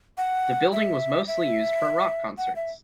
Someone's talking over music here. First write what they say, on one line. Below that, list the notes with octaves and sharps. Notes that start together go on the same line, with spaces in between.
The building was mostly used for rock concerts.
F#5
E5
E5
F#5
E5